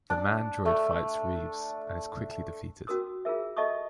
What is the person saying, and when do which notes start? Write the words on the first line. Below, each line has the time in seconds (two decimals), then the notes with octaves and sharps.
The Mandroid fights Reeves and is quickly defeated.
0.10 D4
0.65 A3
2.87 C#4 F#4 A#4 D#6 E6
3.25 F4 G#4 A#4 E5
3.57 A4 D#5 E5 A5 C#6 D#6